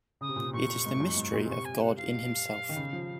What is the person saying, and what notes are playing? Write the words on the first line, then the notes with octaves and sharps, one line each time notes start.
It is the mystery of God in himself.
C#3 D#6
C3
A#2
C3
A#2 C#6
G#2
F#2
G#2
A#2
C3 C#6
G#5
F#5
F5
D#3
C#3
F3